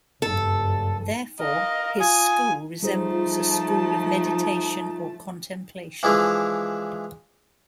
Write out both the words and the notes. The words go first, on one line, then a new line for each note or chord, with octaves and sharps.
Therefore, his school resembles a school of meditation or contemplation.
F#1 G2 A4
A#4 D#5 F5
F4 G#5 D#6
F3 G3 A3 D#4 F4 G#4 C5 A5
E3 F3 G#3 D4 E4